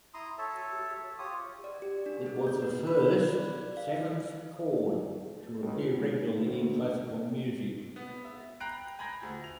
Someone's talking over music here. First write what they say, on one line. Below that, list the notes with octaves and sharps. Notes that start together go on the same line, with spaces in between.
It was the first seventh chord to appear regularly in classical music.
E4 A#5 C6 D#6
A4 C#5 E5 A5
F4 G4 C#5 D#6
D5
G4
D4
G#4
G6
B4
B5
F#6
D5
F5
C#2
G#2
D2
B3
E5
G5 A#5 B5 F#6 C7 D7
G#5 A#5 B5 G6 G#6 A#6
D2 A#2
F7